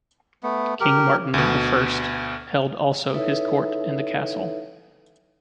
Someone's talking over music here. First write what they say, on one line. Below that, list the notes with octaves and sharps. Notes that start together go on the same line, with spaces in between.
King Martin the First held also his court in the castle.
A3 B3
G4 A#4
D2 B2
D#4 E4 A4 B4 C#5 E5